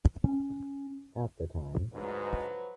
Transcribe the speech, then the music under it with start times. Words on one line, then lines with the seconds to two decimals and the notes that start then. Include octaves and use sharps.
At the time.
0.24 C#4
1.92 D2 G#2 F3 F#3 B4